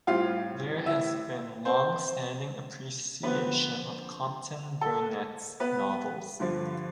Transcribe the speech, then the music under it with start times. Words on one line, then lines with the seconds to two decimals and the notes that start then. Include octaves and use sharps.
There has been longstanding appreciation of Compton-Burnett's novels.
0.07 A2 G3 C4 F4 F5
0.86 E4 E5
1.65 C4 C5
3.23 D3 F3 B3 C4 B4
4.81 A4
5.60 B3 B4
6.40 G2 D3 F3